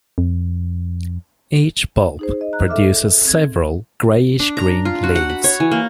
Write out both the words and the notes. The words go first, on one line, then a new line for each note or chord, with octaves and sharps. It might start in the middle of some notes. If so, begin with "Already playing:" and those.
Each bulb produces several greyish-green leaves.
F2
D#4 G#4 C5
D#5
A#5 F#6
A4 E5 D6 F6
C4 G#6
D4
A#5
F4
F#4
F#5
B5
C#5
E3
A#3